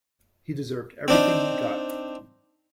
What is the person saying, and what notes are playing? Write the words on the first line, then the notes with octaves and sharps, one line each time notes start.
He deserved everything he got!
C4 D4 D#4